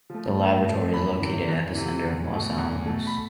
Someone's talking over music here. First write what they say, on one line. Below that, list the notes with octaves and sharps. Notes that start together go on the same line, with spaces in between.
The laboratory is located at the center of Los Alamos.
F3 A3
A2
F3 A3
E2 B5
C3 E3
E2
C3 E3
E2
B2 A3
E2
B2 A3
B5